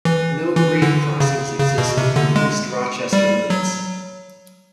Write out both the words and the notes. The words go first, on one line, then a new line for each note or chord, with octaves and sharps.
No grade crossings exist within the East Rochester limits.
E3
E3
D3
C#3
C#3
B2
C3
D3
G#3
G3
F#3